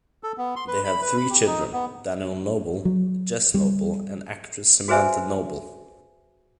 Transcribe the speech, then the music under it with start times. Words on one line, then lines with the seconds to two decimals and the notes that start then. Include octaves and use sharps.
They have three children: Daniel Noble, Jess Noble and actress Samantha Noble.
0.23 A4
0.38 B3
0.56 C6
0.68 B4
0.84 B5
1.02 B4
1.17 B5
1.30 G4
1.47 D#4
1.73 B3
2.85 F#3
3.54 G3
4.88 F#4 G#4 B4 C5 E5 G#5